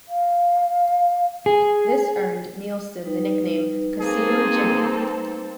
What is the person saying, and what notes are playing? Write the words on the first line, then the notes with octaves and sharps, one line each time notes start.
This earned Nielsen the nickname "Casino-Jimmy".
F5
G#4
G3 D#4 B4
A#3 C4 G#4 A4